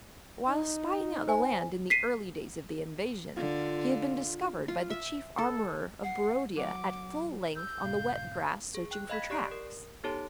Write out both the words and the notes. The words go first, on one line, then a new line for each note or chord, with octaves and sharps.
While spying out the land in the early days of the invasion, he had been discovered by the Chief Armourer of Barodia at full length on the wet grass searching for tracks.
D#4
C5 G#5
B6 C7 D#7
D3 F4
F4
E5
A4
F#5 C7
F#3 F#5 D6
E6 G6
G2 A#2 C#3 F5
G#4
G5 F#6
D#5 F5 B5 G#6 B6
G4 D5 C#6 F#6 C7 D7
A#4
B3 D#4 G4 A4 C#5 A5